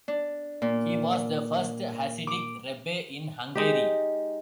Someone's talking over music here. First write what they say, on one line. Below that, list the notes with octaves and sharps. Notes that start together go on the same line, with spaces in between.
He was the first Hasidic Rebbe in Hungary.
D4
A#2
D6
G#3 D#4 G4